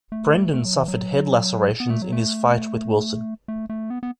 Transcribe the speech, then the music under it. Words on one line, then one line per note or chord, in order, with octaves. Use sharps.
Brenden suffered head lacerations in his fight with Wilson.
A3
A3
F#3
E3
F#3
B3
A3
F#3
A3
A3
A3
B3
B3